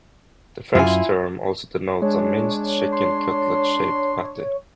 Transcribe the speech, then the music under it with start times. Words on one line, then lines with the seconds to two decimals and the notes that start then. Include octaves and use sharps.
The French term also denotes a minced chicken cutlet-shaped patty.
0.75 F#2 E4 F4 G#5
2.02 G#3 D4 C#5
2.93 C6